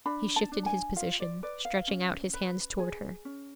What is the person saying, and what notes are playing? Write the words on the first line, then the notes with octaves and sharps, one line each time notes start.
He shifted his position, stretching out his hands toward her.
D4 B5
A5
D4
G#5
F4 F5
D5
B4 D5
F5
C#4
B4
G#4
C#4